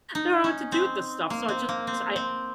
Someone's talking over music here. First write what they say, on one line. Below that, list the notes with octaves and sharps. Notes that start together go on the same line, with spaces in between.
don't know what to do with this stuff. So I just I
D#4
C#4
C4
A#3
C4
A#3
C4
C4